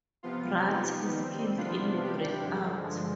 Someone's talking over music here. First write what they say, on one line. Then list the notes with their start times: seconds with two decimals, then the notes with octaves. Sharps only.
Bratt is killed in the breakout.
0.23 C3 F3 B3 F4
0.67 F3 B3 D#4 G4
1.11 D#3 G3 C4
1.54 C3 F3 B3 D4 F4
1.99 C3 G3 D4 G4
2.43 G2 D3 F3 G#3